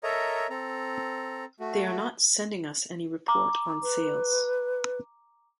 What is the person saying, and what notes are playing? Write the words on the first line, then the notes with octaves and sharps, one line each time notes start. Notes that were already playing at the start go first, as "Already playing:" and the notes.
They are not sending us any report on sales.
A4 A#4 C#5 D#5 E5 A#5
C4 A4 A#5
A3 F#4
A#5 D6
B4